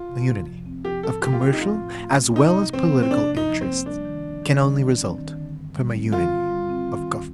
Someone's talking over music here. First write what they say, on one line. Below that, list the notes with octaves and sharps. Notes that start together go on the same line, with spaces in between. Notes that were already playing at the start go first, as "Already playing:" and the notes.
A unity of commercial, as well as political, interests, can only result from a unity of government.
Already playing: F4
C3
F2
F3
C4
F3 G4
A2 A4
A3 G4
F4
C4 G4
D#4
F3 F4
A2
A3
C4
C3 D#4
D2
F3 C4
A#3
C4
C3 D4
D2
D#4
F3
C4
A#3
G3 D4
D#3
C4
D#3
G3
D#3
C4
D#3
D3
G2
G3
C4
D3 F4
G2
G3
C4
D#3
D#2